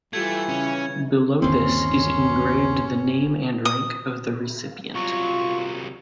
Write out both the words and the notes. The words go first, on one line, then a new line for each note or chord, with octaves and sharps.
Below this is engraved the name and rank of the recipient.
E3 G3 A3 F4 G4 G#6
C#3 C#4
G1 D#2 D#3 A#3 C4 C#4 C6
D#6
C2 F#3 F4 C#6